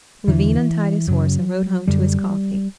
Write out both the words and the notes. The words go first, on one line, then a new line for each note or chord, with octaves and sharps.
Levin untied his horse and rode home to his coffee.
E2 D3 E3
F#2 C#3 F#3
F#2 D3 G3